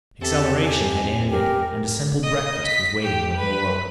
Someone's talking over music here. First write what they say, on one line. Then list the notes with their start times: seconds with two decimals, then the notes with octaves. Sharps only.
Acceleration had ended, and a simple breakfast was waiting when he awoke.
0.21 E2 C4 G4 A4 E5
0.63 G#5
1.30 G4 A#4
2.23 D#5
2.67 B6
3.03 G4
3.37 B4